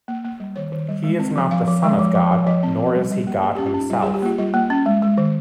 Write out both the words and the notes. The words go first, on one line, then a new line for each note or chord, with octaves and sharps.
He is not the Son of God, nor is he God himself.
A#3
A#3
G3
D#3 C#5
D#3
G3
G#3
C4
F3
F3 F5
F3
G#3
F3
F3
F3
F3 D#5
C4
F3
G3
G3
A#3
A#3 G#4
C#4 G4
F4
C#4 D#4
G3 F4
G3 G#4
G4
A#3 F4
G3 F4
A#3
C#4
G#3
G#3
D#3